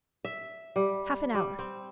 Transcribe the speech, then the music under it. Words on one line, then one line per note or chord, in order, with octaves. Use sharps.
"Half an hour."
E5
G3
G3
C4